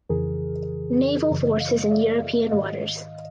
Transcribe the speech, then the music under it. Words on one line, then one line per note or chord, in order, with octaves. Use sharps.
Naval Forces in European Waters.
F2 C#3 E3 G#4 A#4
F#2 C#3 E3
D#5 F5
D5 E5
G#2 D#3 D#5 F5